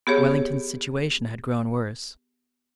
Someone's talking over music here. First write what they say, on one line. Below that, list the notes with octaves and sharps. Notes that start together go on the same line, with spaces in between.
Wellington's situation had grown worse.
B3 G4 G#4 C#5